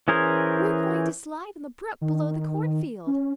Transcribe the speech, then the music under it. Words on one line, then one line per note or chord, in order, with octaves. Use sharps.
"We're going to slide on the brook below the cornfield."
E3 C#4 G#4 A#4 C5
D#3
C#4